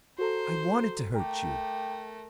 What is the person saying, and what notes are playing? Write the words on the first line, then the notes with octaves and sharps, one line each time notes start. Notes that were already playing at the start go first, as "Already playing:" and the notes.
I wanted to hurt you.
F#4 A4 C5 A#5
A3 A#4 G5 A#5 D6